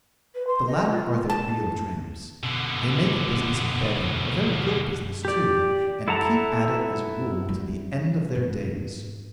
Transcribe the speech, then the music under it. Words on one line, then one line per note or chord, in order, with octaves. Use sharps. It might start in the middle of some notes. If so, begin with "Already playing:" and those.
The latter are the real tramps. They make a business of begging--a very good business too--and keep at it, as a rule, to the end of their days.
B4
C6
D#5
D#5
F4
A5
B2 D3
G4 D5
E4 A4 F#5 A5 A#5
G3 D4
G#2